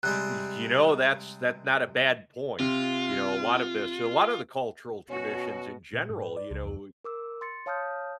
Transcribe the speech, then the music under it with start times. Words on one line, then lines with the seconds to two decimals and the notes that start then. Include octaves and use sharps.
Y you know, that's that not a bad point, you know, a lot of this a lotta the cultural traditions in general, you know,
0.03 C3 G3 G#3 F#6
2.60 C3 F4
5.10 B2 C#4 F#4
5.93 A#2
6.10 G#2
6.22 B4
6.37 D5
6.51 C#2
6.65 F2
7.04 A#4 D6 E6
7.41 C6 A6 C#7
7.66 C#5 F5 A5 D#6 F6 G6